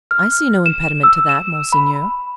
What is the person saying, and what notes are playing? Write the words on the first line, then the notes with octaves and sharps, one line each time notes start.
"I see no impediment to that, monseigneur."
F6
E7
E6
E7
B5